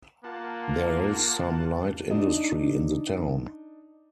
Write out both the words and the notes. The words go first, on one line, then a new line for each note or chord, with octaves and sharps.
There is some light industry in the town.
A#3 F4 F#5 A5
D4 D#4